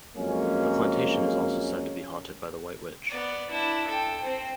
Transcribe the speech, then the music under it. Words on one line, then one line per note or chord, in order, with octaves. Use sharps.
The plantation is also said to be haunted by the White Witch.
F2 F#3 G#3 A#3 C#4
B3 D5
D4 E4
A4 G5
C4 C5